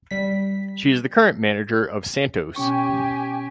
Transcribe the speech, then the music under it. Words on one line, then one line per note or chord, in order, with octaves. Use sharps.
She is the current manager of Santos.
G3 B6
B2 C#4 G4 G#5 C#6